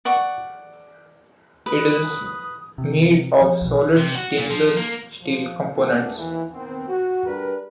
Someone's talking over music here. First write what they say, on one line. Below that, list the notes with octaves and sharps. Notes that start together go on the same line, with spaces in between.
It is made of solid stainless steel components.
D5 F#5 C#6
B4 D#6
C3
F3
B1 B2
C3
F#4
A#2
F3
A#3
F3
A3 B3 C4 D4 G#4 A4
D#2 E3
D#3 B3 C4
F#4
G3 D4 G#4 A#4 B4